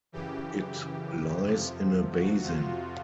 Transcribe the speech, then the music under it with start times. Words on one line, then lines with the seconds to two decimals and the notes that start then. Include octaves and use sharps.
It lies in a basin.
0.12 F#2 C#3 E3 G4
1.45 F2 C3 F3
2.11 F#4
2.43 F4